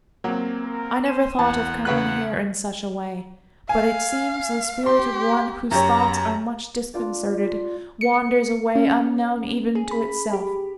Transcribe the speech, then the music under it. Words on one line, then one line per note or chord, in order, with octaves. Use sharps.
I never thought of coming here in such a way; but it seems the spirit of one whose thoughts are much disconcerted wanders away unknown even to itself.
F#3 A#3 C4
A#4
C5 D#7 E7
E2 F#5 A5
C#3 B4 F#5 F#6
F5 G#5
G4 C6
F#2 G4 C#5 A#5
D4 F4 D5
C#7
C#4
G#4
B5
G4